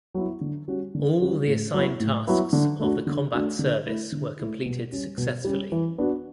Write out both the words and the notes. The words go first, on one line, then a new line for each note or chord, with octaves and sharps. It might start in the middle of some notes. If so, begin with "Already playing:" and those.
All the assigned tasks of the combat service were completed successfully.
F#3 B3 E4
D3
G3 C#4 F#4
D3
G3 C#4 F#4
A2
F#3 B3 E4
A2
F#3 B3 E4
D3
A3 D4 F#4
D3
A3 D4 F#4
D3
A3 E4
D3
A3 E4
B2
G3 C#4
B2
G3 C#4
E3
B3 D4 F#4